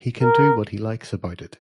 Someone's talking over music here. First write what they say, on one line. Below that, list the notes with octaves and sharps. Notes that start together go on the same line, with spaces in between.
He can do what he likes about it.
A#4